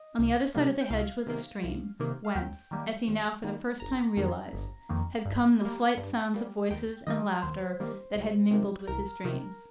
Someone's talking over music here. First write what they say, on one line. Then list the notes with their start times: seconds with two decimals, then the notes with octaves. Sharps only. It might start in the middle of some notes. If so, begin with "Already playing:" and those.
On the other side of the hedge was a stream, whence, as he now for the first time realized, had come the slight sounds of voices and laughter that had mingled with his dreams.
Already playing: D#5
0.19 C2
0.55 C3 G3 A#3
0.81 G5
0.90 C2 F5
1.26 C3 D#3 A#3
1.64 C2
2.00 C3 D#3 A#3
2.25 F5
2.35 D#2 G5
2.71 D#3 G3 A#3
3.08 D#2
3.44 D#3 G3 A#3
3.80 G1 A#5
4.17 F2 D#3 A#3
4.53 G1
4.89 F2 D#3 A#3
5.25 G2
5.61 G3 A#3
5.97 G2
6.34 G3 A#3
6.70 D#2 G5
7.07 D#3 G3 A#3 D#5
7.42 D#2 C5
7.80 D#3 G3 A#3
8.15 C2
8.51 C3 D#3
8.87 C2 A#4
9.25 C3 D#3